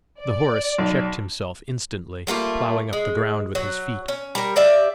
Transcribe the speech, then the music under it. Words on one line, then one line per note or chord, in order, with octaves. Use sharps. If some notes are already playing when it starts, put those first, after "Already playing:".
The horse checked himself instantly, ploughing up the ground with his feet.
D5
B1
G3 A3 A#3 F4
G#3
F#3
C#4
G3 A#4
G4 D5 E5 F5